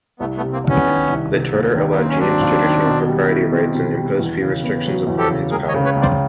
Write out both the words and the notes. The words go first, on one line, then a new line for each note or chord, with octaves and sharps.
The charter allowed James traditional propriety rights and imposed few restrictions upon his powers.
C2 A3 B3
A3 B3
C3
A#3 C4
C2
B3 C#4
D#3
C2
C3
D#2
D#3
B3
A#3 C4
C#4
F#3 C4 D4
D#2
D#3
B2
G3
E4
C4
B2
G3
E2
C#3
B3
F#3
E2
G4 A4
C#3
C#2 G#4 A#4
C#5 D#5
C#3
B4 C#5
C#2
C5 D5